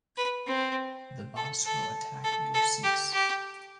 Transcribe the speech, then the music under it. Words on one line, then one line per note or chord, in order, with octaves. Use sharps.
The boss will attack your sinks.
B4
C4
A4
A4
A4
A4
G4
G4